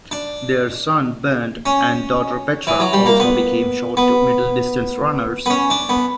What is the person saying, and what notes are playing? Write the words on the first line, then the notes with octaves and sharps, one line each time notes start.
Their son Bernd and daughter Petra also became short to middle-distance runners.
D4
C#4
E3
F#3
G3
A#3
B3
B3
B3
C#4
D4
B3